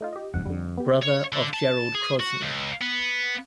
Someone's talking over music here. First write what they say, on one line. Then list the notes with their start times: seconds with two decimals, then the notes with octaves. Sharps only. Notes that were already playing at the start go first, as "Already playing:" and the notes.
Brother of Gerald Krosney.
0.01 A3 D#4 F4
0.13 G4 D#5
0.34 F#1 F2 G#2 F#5
0.45 F2 D3 G3
0.77 B3 G4
1.03 C#5
1.33 D3
1.54 A5
1.94 G#4
2.20 F#4
2.42 C#2
2.81 B3